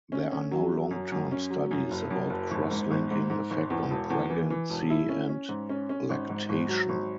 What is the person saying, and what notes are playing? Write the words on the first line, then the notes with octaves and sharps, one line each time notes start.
There are no long term studies about crosslinking effect on pregnancy and lactation.
C#4
C#4
F#3
F#3
F#2
F#2
C#4
F#3
F#2
F#1
F#2
F#1
G#1
G#2
G#1
G#2
G#2
G#1
E2
E1
E2
E3
E3
E1
E4
C#4
C#4
G#2
C#4
C#4
G#1
G#2
G#1
F#3
G#1